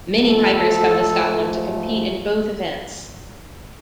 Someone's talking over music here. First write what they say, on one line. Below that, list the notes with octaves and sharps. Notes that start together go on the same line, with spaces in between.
Many pipers come to Scotland to compete in both events.
G#2 F3 A3 A4